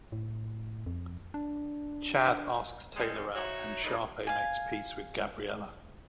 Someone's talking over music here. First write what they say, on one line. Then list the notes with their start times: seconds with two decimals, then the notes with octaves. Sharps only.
Chad asks Taylor out, and Sharpay makes peace with Gabriella.
0.12 A2
0.86 F2
1.34 D4
2.95 C3 G3 G#3
3.35 D#4 E4 F#4 C#5
3.84 G2 F#3 A3 D#4
4.27 F5 G#5